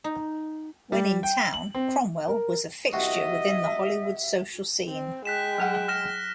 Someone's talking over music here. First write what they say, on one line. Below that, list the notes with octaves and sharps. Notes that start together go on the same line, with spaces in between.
When in town, Cromwell was a fixture within the Hollywood social scene.
D#4
G3
G5
F#7
C4
A#4
C2 F#4 D#5 E5 C6
C4
G#3 G5 F#6 B6 E7
F#3 G#4 F#5
F6 A#6 E7